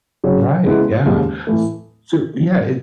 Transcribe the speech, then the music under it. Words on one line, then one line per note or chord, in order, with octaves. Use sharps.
Right. Yeah. S So yeah, it's
C#3 F#3 C#4
C#3 G#3 B3 E4
D#2 C#3 G#3
A2 E3 A3